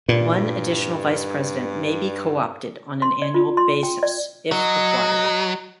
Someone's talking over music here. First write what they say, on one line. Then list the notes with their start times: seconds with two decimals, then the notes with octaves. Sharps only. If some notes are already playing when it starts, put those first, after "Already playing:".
One additional Vice-President may be co-opted on an annual basis if required.
0.09 G2 A#2
3.02 C6
3.22 D5
3.34 F4
3.57 C6
3.83 G5
4.03 D5
4.52 F#3 D#5